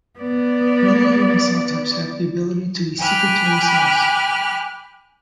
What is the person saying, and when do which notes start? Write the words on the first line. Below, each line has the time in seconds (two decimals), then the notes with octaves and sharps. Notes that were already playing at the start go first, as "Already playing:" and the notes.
Many human cell types have the ability to be secretory cells.
0.20 B3 D5
3.01 G5 G#5 B5 D6 F6 F#6